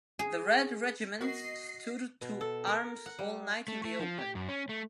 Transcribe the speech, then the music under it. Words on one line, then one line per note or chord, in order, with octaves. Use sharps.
The Red Regiment stood to arms all night in the open.
G#4
B3 F#4 A#4 D#5 C7
B2
A4
A#4
F#5
G3
A3
A3
F3
G4
F#2
C#4
A3